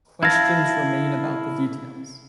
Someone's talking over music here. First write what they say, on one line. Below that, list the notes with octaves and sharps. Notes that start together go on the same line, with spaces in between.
Questions remain about the details.
E4 F5 A5 G#6 A#6